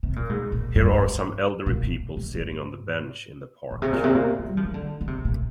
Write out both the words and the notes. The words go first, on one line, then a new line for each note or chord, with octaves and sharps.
Here are some elderly people sitting on the bench in the park.
C3
A#2
G#2
A#2
G2
G#2
A#2
C3
A#2
G#2
A#2
C3
A#2
C3
A#2
C3
G3
F3
D#3
D3
D3
C3
A#2